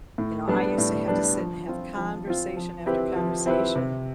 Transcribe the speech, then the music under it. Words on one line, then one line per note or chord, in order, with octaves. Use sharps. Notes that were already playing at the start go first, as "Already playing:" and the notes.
You know, I used to have to sit and have conversation after conversation
A2
G3 B3 D4
A2
G3 B3 D4
F3
C4 F4
F3
C4 F4
F3
C4 E4 G4 B4
F3
C4 E4 G4 B4
C3